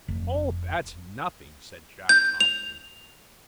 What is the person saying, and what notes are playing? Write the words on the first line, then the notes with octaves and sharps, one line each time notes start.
'Oh, that's nothing,' said Jack Hopkins.
F1
G6
F7